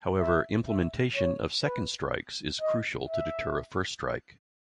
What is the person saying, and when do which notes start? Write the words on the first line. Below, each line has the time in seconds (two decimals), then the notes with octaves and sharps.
However, implementation of second strikes is crucial to deter a first strike.
0.20 E5
0.68 E5
1.16 C#5
1.65 B4
2.61 D#5
3.09 E5